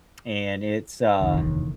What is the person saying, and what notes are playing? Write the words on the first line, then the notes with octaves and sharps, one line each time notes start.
and, it's, uh,
F1 D#2 D#3
D3 E3